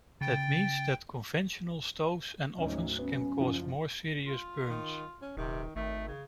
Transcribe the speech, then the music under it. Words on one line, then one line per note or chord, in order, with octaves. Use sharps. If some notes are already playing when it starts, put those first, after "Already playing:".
That means that conventional stoves and ovens can cause more serious burns.
C#3 G5 A6
D2 G#2 F#3 C#4 D#4
B3 C#4
F#1 F#2 F3
F4
D#3
C#4
D#1 C3 D#3
G#1 D#3 A3
C#3